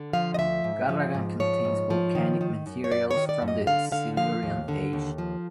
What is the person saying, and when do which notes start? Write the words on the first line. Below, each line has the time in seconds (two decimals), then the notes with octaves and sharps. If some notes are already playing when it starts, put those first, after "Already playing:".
Garran contains volcanic materials from the Silurian Age.
Already playing: D3
0.13 F3 F5
0.34 D#5
0.39 D2 E5
0.64 G#2
0.89 F3
1.14 G#2
1.40 F3 C#5
1.65 G#2
1.90 F3
2.15 D#3
2.41 D#3
2.66 F#2
2.84 C#5
2.92 F#2 D5
3.11 C#5
3.16 D#3
3.29 D5
3.42 F#2
3.48 D#5
3.67 D3 F5
3.92 D3 F5
4.17 F3 F5
4.43 D#2
4.68 D3
4.93 D#2
5.18 F3